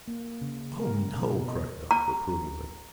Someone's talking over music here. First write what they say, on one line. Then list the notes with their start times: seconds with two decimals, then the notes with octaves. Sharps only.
"Oh, no," cried Dot reprovingly.
0.08 A#3
0.42 C#3
0.80 A#4
1.16 B2
1.48 D#5
1.91 A#5